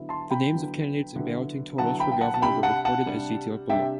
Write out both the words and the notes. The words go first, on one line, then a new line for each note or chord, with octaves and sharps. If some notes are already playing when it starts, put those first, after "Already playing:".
The names of candidates and balloting totals for governor were recorded as detailed below.
Already playing: D3 F#3 B3 E4
A5 C6
G5 B5
D3 F#3 B3 E4
D3 F#3 B3 E4
D3 F#3 B3 E4 F#5 A5
G5 B5
G5
F#5 A5
A5
C3 G3 D4 G5 B5
F#5 A5
F#5 A5
C3 G3 D4
C3 G3 D4 E5 G5